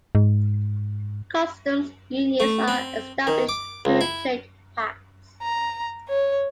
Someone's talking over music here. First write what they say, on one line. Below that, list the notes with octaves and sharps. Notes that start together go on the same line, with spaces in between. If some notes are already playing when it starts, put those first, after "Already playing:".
Customs unions are established through trade pacts.
G#2
A3
C4
D#3
D6
C#2
E4
A#5
C#5